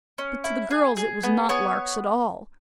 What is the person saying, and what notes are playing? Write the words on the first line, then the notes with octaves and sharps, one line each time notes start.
But to the girls it was not larks at all.
C#4
E4
G#4
G#4
B3
B3 C#5